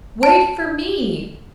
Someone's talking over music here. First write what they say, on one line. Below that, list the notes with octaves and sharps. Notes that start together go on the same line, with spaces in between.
"Wait for me!"
A5